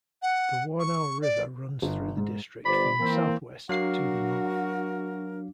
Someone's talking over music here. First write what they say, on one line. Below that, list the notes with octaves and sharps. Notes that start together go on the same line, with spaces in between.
The Warnow river runs through the district from the southwest to the north.
F#5
C#6
D5
G1
G#2
G1 C5 D5 B5
E3 A#3 C4
F#3 D4 F#4 A#4 F5 C7